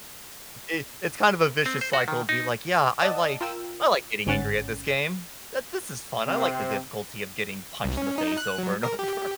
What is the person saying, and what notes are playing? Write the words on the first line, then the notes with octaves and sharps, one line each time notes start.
i it's kind of a vicious cycle to be like, "Yeah. I like I like getting angry at this game. Th this is fun. I like the difficulty of getting punched in the face over and over."
C4
C5
F#4
D#3
D#4
D5 D#5 F#5 A5 D#6 E6
F4 A#4 G5 E6
G1 G#2 C#4 F#5 A6
C3 C4
C2
C#4
D#4
F#6
F#3
A#4
G4